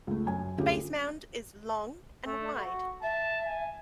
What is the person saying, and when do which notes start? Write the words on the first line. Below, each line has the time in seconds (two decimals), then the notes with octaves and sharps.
The base mound is long and wide.
0.07 C#2 A3
0.26 F#2 G#5
0.58 D2 C#4 F4 G4 G#4
2.26 A3
2.58 F#4
3.02 E5 A5
3.46 G#5